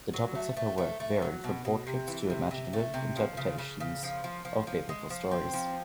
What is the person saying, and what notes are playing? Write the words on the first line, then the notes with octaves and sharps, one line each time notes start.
The topics of her work varied from portraits to imaginative interpretations of biblical stories.
F#3
A3
A3
A3
A3
F#3
B2
B2
C3
E3
C3
C3
A3
C3
F3
C#3
C#3
C#3
F3
F3
F3
F3
G#3
F3
C4
F3